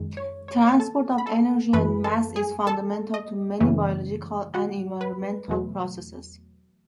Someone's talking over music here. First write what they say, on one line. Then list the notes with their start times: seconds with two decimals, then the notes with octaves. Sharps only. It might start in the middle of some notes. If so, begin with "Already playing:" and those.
Transport of energy and mass is fundamental to many biological and environmental processes.
Already playing: F#2 D#3 G#3
0.17 C#5
0.48 C#5
0.80 A4 A5
1.18 B5
1.26 A4 A5
1.73 F#2 E3 A3 B4 B5
2.04 A4 A5
2.36 G#4 G#5
2.67 A4 A5
3.14 D#5
3.60 F#2 C#3 E3 A3
4.54 F#4 F#5
5.01 B4 B5
5.48 E2 B2 F#3 A3